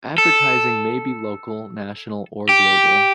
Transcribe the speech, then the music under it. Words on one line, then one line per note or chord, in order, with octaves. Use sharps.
Advertising may be local, national or global.
A4
G4